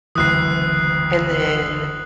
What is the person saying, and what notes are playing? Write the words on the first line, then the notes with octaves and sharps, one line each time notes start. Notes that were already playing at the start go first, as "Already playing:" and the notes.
And then
F#1 D2 E3 D#6 F#6 C7